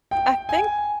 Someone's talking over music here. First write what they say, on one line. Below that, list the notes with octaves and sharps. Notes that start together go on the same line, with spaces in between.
I think
G5
G#5